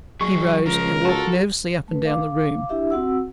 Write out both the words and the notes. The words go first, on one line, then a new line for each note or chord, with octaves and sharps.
He rose, and walked nervously up and down the room.
F#3 G#4 C#6
C#2 F3 A#4
F4 F#4 A4 A5
A3 B4
F5 D6
D4 E4 G4 E5
C4 F#4 F#5 E6